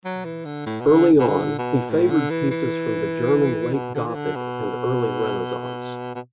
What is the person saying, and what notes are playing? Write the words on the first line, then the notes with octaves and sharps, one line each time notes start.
Early on, he favored pieces from the German late Gothic and early Renaissance.
F#3
E3
D3
A2
B2
D3
B2
D3
B2
A2
D3
E3
E3
B2
D3
E3
D3
B2
B2